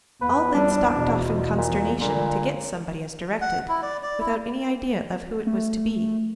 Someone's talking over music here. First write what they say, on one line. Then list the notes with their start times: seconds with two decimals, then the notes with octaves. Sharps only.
All then stalked off in consternation, to get somebody as directed, without any idea of who it was to be.
0.22 E2 F3 B3 B4
0.55 G3 D4
0.97 B2
1.58 A#2
2.01 A#2 D3 G3 G#3
3.41 F#5
3.69 E4
3.82 D5
4.03 D5
4.21 E4
5.47 A3